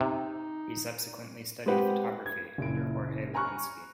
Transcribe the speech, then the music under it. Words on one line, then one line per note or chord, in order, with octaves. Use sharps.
He subsequently studied photography under Jorge Lewinski.
C3 D#4
G#3 C4 G4 B4 C5 F#5
G#6
F#1 A#2 E4 D7
G#5 A#5 B5 C#6 F6 F#6